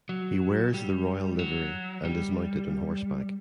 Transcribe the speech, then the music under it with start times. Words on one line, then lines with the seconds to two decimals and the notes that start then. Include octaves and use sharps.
He wears the royal livery and is mounted on horseback.
0.09 F#3
0.74 G3
1.35 E3
1.39 F#3
2.05 G3